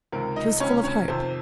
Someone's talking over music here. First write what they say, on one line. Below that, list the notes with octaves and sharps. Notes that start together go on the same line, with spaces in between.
She was full of hope.
C#2 C3 D#3 A#4
D#4 D#5
C#2 C3 D#3 C#4 C#5
C#4 C#5
F2 C3 D#3 C4 C5